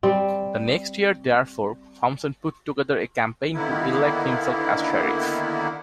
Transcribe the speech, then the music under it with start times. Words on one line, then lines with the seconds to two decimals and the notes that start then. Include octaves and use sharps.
The next year, therefore, Thompson put together a campaign to elect himself as Sheriff.
0.03 G3 C4
3.54 D3 D#3 A#3 B3 E4